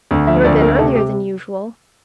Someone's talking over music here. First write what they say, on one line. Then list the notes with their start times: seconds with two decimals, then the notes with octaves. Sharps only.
"You're a bit earlier than usual."
0.11 D2
0.27 F3 E5
0.44 D2 D5
0.61 A3 A#4
0.78 C3 A4
0.95 G4